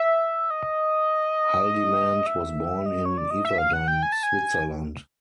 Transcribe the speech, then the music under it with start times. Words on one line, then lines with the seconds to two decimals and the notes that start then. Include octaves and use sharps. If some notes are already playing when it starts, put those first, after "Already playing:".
Haldimand was born in Yverdon, Switzerland.
Already playing: E5
0.50 D#5
2.26 E5
2.86 D#5
3.05 C#5
3.18 D5
3.31 D#5
3.45 E5
3.58 F5
3.73 F#5
3.88 G5
4.03 G#5
4.12 A5
4.23 G#5